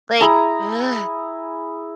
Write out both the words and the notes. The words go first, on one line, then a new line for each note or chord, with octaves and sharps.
Like, ugh!
E4 G#4 A#5